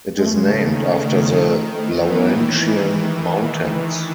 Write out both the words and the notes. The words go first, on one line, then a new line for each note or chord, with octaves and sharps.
It is named after the Laurentian Mountains.
C#3 G#3
A3
G#3
D#3 A3
C#3
D#3
D#3
E3
B3